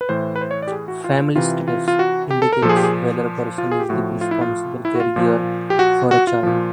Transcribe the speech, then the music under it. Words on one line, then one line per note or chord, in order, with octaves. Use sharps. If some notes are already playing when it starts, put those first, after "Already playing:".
"Family status" indicates whether a person is the responsible caregiver for a child.
B4
A2 E3 C5
B4
C5
C#5
D5
G4
G#4
F#4
F4
C3 E3 F4
F4
F4
F#4
G4
A4
A#4
A#2 F3 G#4 A4
G4
G#4
F4
G#4
G4
A2 F3 F#4
F4
E4
F4
E4
F#4
F4
A#2 F3
G4
F#4
F#4
F4
A#2 F3